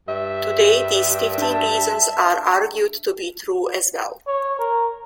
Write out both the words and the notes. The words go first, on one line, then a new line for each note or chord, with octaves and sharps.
Today, these fifteen reasons are argued to be true as well.
G2 E5
D4 A5
C#5
A#4